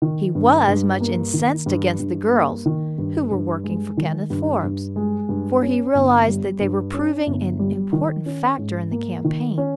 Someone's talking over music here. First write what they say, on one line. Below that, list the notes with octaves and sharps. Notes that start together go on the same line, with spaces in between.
He was much incensed against the girls who were working for Kenneth Forbes, for he realized that they were proving an important factor in the campaign.
D#3
G2
G2
A#3
D#3
G2
G2
A#3
D#3
G2
G2
G#3
D#3
G2
G2
G#3
G2
C#4
G1
G3
G2
C#4
G1
G3
D#3
C#4
G#2
A#3
D#3
C#4